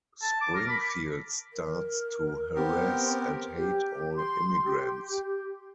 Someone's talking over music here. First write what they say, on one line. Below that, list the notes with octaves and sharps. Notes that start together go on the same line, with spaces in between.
Springfield starts to harass and hate all immigrants.
A5
D6
A#4
B5
A#4
B3 C4 G4 A#4
G4
C6
G4